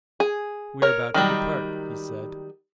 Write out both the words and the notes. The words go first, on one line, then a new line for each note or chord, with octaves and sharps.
"We're about to depart," he said.
G#4
A#4 C#5
D#3 F#3 G3